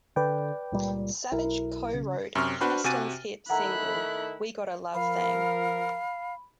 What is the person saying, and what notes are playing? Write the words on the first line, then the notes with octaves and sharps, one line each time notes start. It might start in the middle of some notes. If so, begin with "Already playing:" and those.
Savage co-wrote Peniston's hit single "We Got a Love Thang".
D3 B4 D5 G5
C#2 A#2 G3
B1 E4 A#4
C#3
F#2 C3 C#6 F6
D4 F#4 B4 C5 B5 C6
C3 F#4 G4 G#5 A6 D#7
D#3 A3 E4 F#5 A#5 B5 F#6
F3 A#4 F5 B5